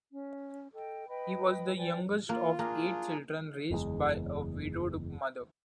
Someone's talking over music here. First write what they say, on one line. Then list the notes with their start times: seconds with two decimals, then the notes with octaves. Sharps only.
He was the youngest of eight children raised by a widowed mother.
0.13 C#4
0.73 A4 D#5 G5
1.08 B4 D#5 G5 B5
1.77 B4 D5 G5 G#5
2.29 A#3 F4
2.59 A#3 D4 G#4 A#4
3.71 F#1 E2 G2 G#3